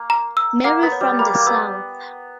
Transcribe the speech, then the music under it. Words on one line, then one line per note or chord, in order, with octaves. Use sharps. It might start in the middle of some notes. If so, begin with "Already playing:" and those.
Marie from the south.
Already playing: A#3
A#5
E6
A#3 F#5
B3
C#5
G3
A#3 B5
A#3
B3 E6